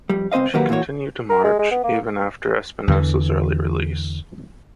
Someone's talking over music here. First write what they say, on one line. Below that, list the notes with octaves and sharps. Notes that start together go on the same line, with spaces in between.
She continued to march even after Espinosa's early release.
F2 G3
C#2 C4 C5 D#5 F5
D#3 F#3 A#3 F#4 G4 B4
A#2 E3 A#3 F#4 C#5
A#4
G#3
G#3
B3
A#3
E2 D3 E3